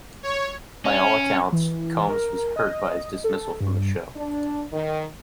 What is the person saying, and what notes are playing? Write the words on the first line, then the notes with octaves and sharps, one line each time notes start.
By all accounts, Combs was hurt by his dismissal from the show.
C#5
C#4
E3
A#4
D#5
A4
G2
D4
D#3